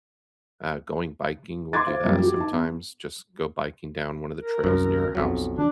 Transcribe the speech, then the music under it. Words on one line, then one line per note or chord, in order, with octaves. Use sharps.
uh, going biking- we'll do that sometimes, just go biking down one of the trails near our house,
C6 D6 G#6 A6
C5 F5
F#2 F3 G3 A#3
F#4 G4
D#4 A5
B3
A#4
C2 F#2
B1 F2 F#3
D4